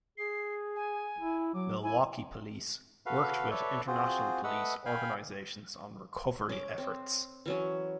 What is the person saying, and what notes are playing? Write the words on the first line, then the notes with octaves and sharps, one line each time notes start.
Milwaukee police worked with international police organizations on recovery efforts.
G#4 C7
G#5
E4
F#3 D6
E4 G#5
F#4 A4 B4 F5
A4 B4 C#5 D5 E5
C4 F4 F#4 G#4 C5
A3 B4 D#5 F#5 E6
F5 G5 G#5 B5
C#4 D6
C4
E3 F#3 C#4